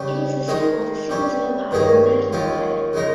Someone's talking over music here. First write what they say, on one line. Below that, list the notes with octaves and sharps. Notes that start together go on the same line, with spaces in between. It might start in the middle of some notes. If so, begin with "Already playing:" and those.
It is the sequel to "Sins of Empire" and "Wrath of Empire".
Already playing: C#3 G3 C#4
D#3 G#3 D#4 G#4
C3 G3 C#4
G2 D#3 A#3 C#4 G#4
D#2 D#3 G#3 C#4 F4
C#3 G#3 D#4 A#4